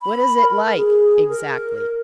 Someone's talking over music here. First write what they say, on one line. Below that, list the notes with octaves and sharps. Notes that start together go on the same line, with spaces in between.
"What is it like--exactly?"
B5
A#4
G#4
A#4